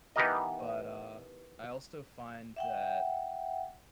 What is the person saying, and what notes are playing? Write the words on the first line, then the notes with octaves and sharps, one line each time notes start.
But, uh, I also find that
E3 B3 D#4 G4 A#4 D#5
E5 F#5 G5